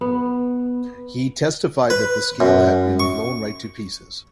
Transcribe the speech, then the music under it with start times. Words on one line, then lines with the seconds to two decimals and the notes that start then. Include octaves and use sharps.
He testified that the scale had been "blown right to pieces".
0.01 B3
1.90 B4
2.40 F#2
3.00 C#6